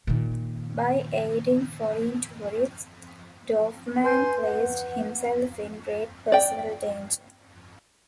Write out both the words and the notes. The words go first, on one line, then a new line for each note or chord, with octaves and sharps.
By aiding foreign tourists, Dorfman placed himself in great personal danger.
A#2 D#3
B4 G#5 C6 G6
F#5
D5 G5